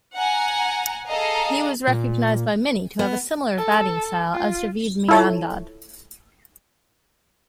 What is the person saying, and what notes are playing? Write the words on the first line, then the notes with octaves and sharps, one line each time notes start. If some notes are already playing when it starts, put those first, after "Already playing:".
He was recognized by many to have a similar batting style as Javed Miandad.
F#5 G#5 A#5
G#4 A4 D#5 F5 A#5
A#2
B3
A4
F4
E4 F4 A4 C#5